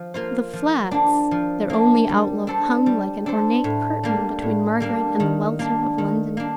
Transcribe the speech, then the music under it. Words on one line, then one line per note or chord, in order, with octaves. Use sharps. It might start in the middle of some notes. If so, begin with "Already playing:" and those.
The flats, their only outlook, hung like an ornate curtain between Margaret and the welter of London.
Already playing: F3
A#3 F4 C5
F3
A#3 D4
F3
A#3 D4
G3
D4 A4 C5
G3
D4 A4 C5
A2
G3 A#3 D4
A2
G3 A#3 D4
D#3
A#3 D4
D#3
A#3 D4